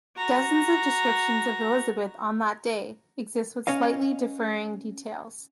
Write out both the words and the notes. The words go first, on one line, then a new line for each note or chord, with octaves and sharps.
Dozens of descriptions of Elizabeth on that day exist with slightly differing details.
F#4 A#5
C#4 C#5 D#5 F5